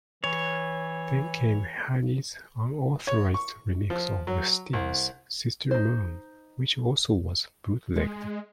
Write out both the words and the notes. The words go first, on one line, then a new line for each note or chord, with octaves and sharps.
Then came Hani's unauthorized remix of Sting's "Sister Moon" which also was bootlegged.
E3 C#5
C#5
C#6
F3
F#3
C2
D#4 C5
G#3